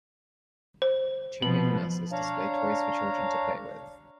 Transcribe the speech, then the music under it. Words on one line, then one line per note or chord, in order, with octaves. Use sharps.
Two young nurses display toys for children to play with.
C5
B2 F3 F#7
D4 C#5 F5 A#5